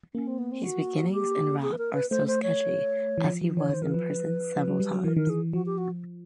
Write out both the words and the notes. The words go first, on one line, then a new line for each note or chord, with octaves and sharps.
His beginnings in rap are still sketchy as he was imprisoned several times.
A#3 C#4
C4
B3
C4
F#4
G4
G#4
B4
A#4
B4
A3 C5
C5
C#5
E3
F3
F3
E3 C#5
D#3 C5
E3 A#4
F3 B4
F3
F#3
G3
F#3
E3 A#4
D#3 A#4
E3 G#4
F3 F#4
G4
F#4